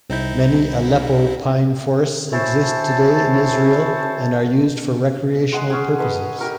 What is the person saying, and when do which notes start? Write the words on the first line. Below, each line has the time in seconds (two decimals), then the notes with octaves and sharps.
Many Aleppo pine forests exist today in Israel and are used for recreational purposes.
0.10 C2 C4 D#4 E4 G6
2.33 C#4 E4 F#4 C5 C#5 A5
5.52 G#3 F#5 C6
5.70 C#4 G#4
5.98 A4 B4 D#5
6.15 A4
6.39 G4 A#4 C#5